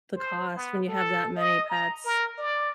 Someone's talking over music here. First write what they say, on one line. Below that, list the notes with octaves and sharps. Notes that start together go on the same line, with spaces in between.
the cost when you have that many pets.
C5
B3
A4
D#5
A#5
A#4
D5